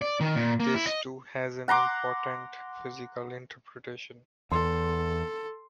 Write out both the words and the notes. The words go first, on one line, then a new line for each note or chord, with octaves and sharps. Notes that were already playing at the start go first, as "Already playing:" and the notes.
This too has an important physical interpretation.
D5
D#3
A#2
A#3
E4
D#5
F#5 A#5 C6 D6
E2 A4 C6